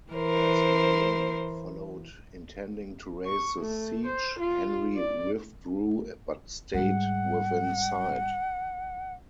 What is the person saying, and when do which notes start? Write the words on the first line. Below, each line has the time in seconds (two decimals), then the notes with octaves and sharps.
As Mayenne followed intending to raise the siege, Henry withdrew but stayed within sight.
0.13 E3 A#4 C5
3.26 C#6
3.61 A3
4.06 C5
4.39 F4
4.95 D5
6.74 G#2 G3 F#5